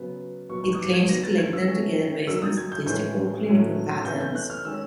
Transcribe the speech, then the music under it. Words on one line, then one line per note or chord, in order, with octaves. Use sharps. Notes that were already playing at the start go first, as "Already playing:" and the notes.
It claims to collect them together based on statistical or clinical patterns.
Already playing: C#3 F#3 B3
A#2 F#3 B3 C#6
C#6
D#6
D6
G#6
D#3 F#3 B3 A#6
A6
G#6
E6
E3 A3 C#4
D#3 F#3 A#3 E6
D#6
G#6
G6
A2 E3 G#3 C#4 G6
A2 F#3 A3 C#4
E3 A3 C#4 G6
G6
F#6
F6
D#3 G#3 C#4 E6